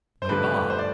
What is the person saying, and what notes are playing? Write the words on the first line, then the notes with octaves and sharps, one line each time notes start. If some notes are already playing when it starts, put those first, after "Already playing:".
No Bob.
C5
G2 D3 F3 A3 B4
C5
D5